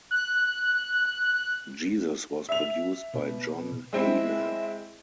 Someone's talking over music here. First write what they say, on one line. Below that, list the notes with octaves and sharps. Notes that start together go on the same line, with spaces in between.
"Jesus" was produced by John Heyman.
F#6
E5 F7
B2
G#3 C4 E4 E5